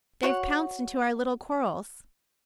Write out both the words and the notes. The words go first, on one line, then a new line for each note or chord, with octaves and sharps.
They've pounced into our little quarrels....
F#4 C#5 F#5